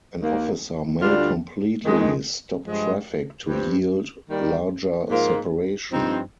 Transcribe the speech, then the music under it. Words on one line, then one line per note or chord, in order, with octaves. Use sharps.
An officer may completely stop traffic to yield larger separation.
D#2 D#3 A#3
D2 D3 G3 D4 F4
F2 D#3 G#3 D#4
G2 F3 G#3
G2 F3 C4 G4
D#3 G3 A#3
G#2 F3 A#3 F4
G2 F3 C4 D#4